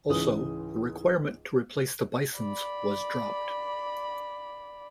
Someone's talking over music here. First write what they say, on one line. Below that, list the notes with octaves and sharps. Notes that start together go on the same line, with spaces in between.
Also, the requirement to replace the Bisons was dropped.
C#2 G#2 E3 G#3 C#4 D#6
D5 B5